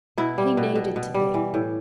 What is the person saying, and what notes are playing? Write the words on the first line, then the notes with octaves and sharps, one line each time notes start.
He needed to be.
B2 E4
G3
B2
B2
B2
G3
E3
A2